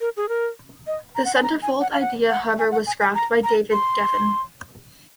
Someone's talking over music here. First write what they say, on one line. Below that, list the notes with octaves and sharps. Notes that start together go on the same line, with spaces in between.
The centerfold idea however was scrapped by David Geffen.
A#4
G#4
A#4
D#5
A#5
F#5
G#5
A#5
G#5
F#5
F5
F#5
F#5
G#5
F#5
G#5
G#5
A#5
A#5
C6